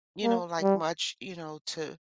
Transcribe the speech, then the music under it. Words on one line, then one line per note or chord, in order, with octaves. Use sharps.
you know, like much, you know, to
A#3
G3